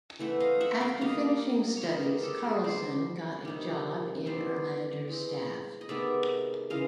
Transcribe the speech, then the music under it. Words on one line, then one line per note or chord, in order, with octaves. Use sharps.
After finishing studies Carlsson got a job in Erlander's staff.
E3 A3 C4 E5 F#5
D#5 F5
E5 F#5
F5 G5
D#3 G3 A#3 D#5 F5
C#5
D#3 G3 B3 A#4 C5
G#4 A#4
G4 A4
F#4 G#4
D3 G3 C4 C5 D5
C3 D#3 G3
E3 G3 B3 C5 D5
E3 G#3 C4
D#5
C3 D#3 G#3 B3 D5 E5
C#3 E3 G#3 D#5 F5